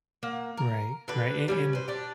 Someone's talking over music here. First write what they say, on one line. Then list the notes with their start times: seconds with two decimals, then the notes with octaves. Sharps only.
Right, right, and and
0.23 A#3 F#5
0.57 A#4
1.08 D3 G4 B4
1.48 G3 A#3 C#4
1.73 B4 C5
1.88 D4 G4